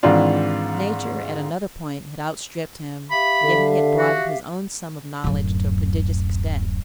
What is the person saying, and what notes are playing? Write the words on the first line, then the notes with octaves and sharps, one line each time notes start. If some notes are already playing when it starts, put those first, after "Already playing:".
Nature at another point had outstripped him, yet he had broadened his own sum of knowledge to a prodigious extent.
G#2 D#3 E3 C4 D4 F4
G4 E5 F5 B5
D3
F#4
D1 F#2